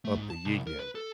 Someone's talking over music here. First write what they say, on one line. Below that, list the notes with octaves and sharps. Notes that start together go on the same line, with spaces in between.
up the ying-yang.
A3
G#2
A5
C2
A#4
B4
A4